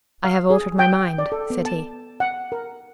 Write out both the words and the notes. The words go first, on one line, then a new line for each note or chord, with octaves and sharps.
"I have altered my mind," said he.
F5
G#4
G5
D5
A4
B3
A5
F#5
A#4